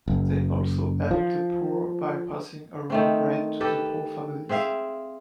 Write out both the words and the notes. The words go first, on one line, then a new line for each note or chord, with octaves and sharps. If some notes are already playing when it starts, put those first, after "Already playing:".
They also helped the poor by passing around bread to the poor families.
F#1
F3
D#3 A3 C4
G4 A4 B4
C4 G#4 E5 F5